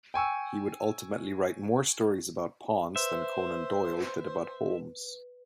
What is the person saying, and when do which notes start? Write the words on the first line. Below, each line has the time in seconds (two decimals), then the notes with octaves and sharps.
He would ultimately write more stories about Pons than Conan Doyle did about Holmes.
0.14 G5 G#5 C#6 E6
2.96 B4 C5 E5